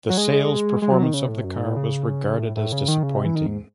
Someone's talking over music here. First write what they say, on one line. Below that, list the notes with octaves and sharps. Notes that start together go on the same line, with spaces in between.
The sales performance of the car was regarded as disappointing.
F#3
G#3
G#3
F#3
D#3
C#3
A2
F#2
G#2
A2
C#3
A2
A2
C#3
D#3
C#3
C3
E3
D#3
G#2